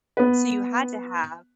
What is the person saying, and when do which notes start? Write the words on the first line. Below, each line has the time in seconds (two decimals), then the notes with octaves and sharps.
so you had to have
0.17 B3 B4